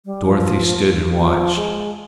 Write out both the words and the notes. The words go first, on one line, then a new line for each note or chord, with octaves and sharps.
Dorothy stood and watched.
G3
F3
F3
G#3